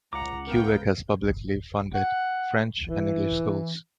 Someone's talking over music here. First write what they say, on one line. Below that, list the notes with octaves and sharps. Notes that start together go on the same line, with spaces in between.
Quebec has publicly funded French and English schools.
C#2 F#5 A#5 D6
B3 A#4 F5 G5
F#5
E3